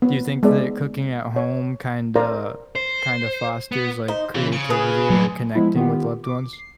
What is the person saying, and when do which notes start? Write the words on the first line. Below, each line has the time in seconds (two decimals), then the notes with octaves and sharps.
Do you think that cooking at home kinda kinda fosters like creativity and connecting with loved ones?
0.02 B3
0.43 G#3 B3 D5 E5
1.36 C#5
2.16 A#4 C5 D5 F5 A#5
2.75 C5
3.72 B3
4.08 D#4 C5
4.35 C#3 E3
4.52 C#3 C#7
4.70 G#4 B4
5.10 G#2 D3 F#3 A3
5.55 F3 G#3 B3 E4
5.75 D#3 B3 F4 G4
6.24 D6
6.53 C7